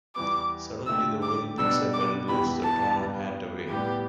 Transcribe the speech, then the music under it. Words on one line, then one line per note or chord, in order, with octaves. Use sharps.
Suddenly, the wind picks up and blows the torn hat away.
E2 E3 G3 B3 D6
D3 A3 G4 E6
D6
B2 G3 D4 A4 E6
D6
E2 E3 B3 G4 B5
A5
G2 G3 B3
A2 G3 B3 G4